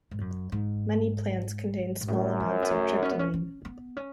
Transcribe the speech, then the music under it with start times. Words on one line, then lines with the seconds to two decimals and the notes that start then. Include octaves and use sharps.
Many plants contain small amounts of tryptamine.
0.11 G#2
0.21 F#2
0.52 G#2
2.01 G#2
2.08 F#2 A2
2.40 G#3
2.62 B3
2.71 A3
3.03 C#4
3.11 B3
3.19 C#4
3.34 C#4
3.65 B3
3.97 C#4